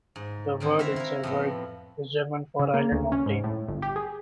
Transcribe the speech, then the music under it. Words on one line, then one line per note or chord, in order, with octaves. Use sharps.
The word "inselberg" is German for "island mountain".
G#2
D3 D#3 C4
E4 F#4 C5 E5 F5
E4 A#4
F2 A2 B3
C#3
A#3
D2
C#4
G#2
A2
G1
G4
G#4